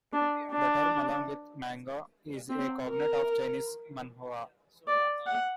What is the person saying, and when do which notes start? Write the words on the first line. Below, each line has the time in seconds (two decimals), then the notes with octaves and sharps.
The term, along with manga, is a cognate of the Chinese manhua.
0.13 D4
0.52 D4
2.50 C4
2.90 A#4
4.88 D5
5.27 F#5